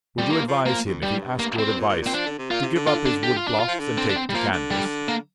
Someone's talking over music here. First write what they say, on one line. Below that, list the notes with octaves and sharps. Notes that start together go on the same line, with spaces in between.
Would you advise him, if he asked your advice, to give up his wood-blocks and take to canvas?
F2 G3
G2 A#3
F3
F3 A#3
F2
G2 G3
A#3
C4
G2
A#2
A#2
A#2
C4
F3 D4
D3
C3
A#2 F4
C3
D3
F4
D4
G4
F4
D4
F4
F3
D3
C4
D4
C4
G3
F3 A#3
D3
G3
A#3